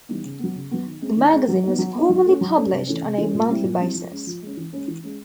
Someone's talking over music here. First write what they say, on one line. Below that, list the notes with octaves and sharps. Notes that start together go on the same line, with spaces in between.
The magazine was formerly published on a monthly basis.
E3 G3 B3 D#4
C#3
F#3 B3
C#3
F#3 B3
D#3
G#3 C4
D#3
G#3 C4
F#3
B3 D#4
F#3
B3 D#4
F#3
A3 C#4
F#3
A3 C#4
C3
E3 A3 C#4
C3
E3 A3 C#4
A#2
G3 C4 E4
A#2
G3 C4 E4
F3
G#3 C#4
F3
G#3 C#4
E3
G#3 C#4
E3
G#3 C#4